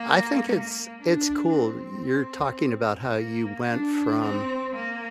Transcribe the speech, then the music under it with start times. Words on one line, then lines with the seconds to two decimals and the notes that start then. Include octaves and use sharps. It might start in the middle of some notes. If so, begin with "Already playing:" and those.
I think it's it's cool. You're talking about how you went from
Already playing: A#3
0.48 A#3
1.01 D4
1.54 C4
3.15 A#3
3.68 D4
4.21 C4
4.75 A#3